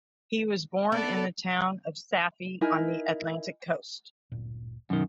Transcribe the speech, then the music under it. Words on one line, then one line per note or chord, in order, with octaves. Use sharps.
He was born in the town of Safi on the Atlantic coast.
B3 A4 D5
D#4 E4 A#4 G#5
D1 G1 A#2
F#2 B2 D3 D#3